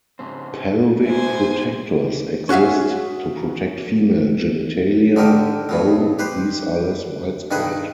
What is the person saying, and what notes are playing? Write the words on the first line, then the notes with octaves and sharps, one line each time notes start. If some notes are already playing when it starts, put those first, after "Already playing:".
Pelvic protectors exist to protect female genitalia, though these are less widespread.
G#2 C#3 C4
G#3 E4 C5 G#5
C#4 F#4 G#4 E5 F5
D3 D#3 G4 A#4
G2 B2 F#3
G4 B4 C5
G2 D#3 D#4 G#4 B4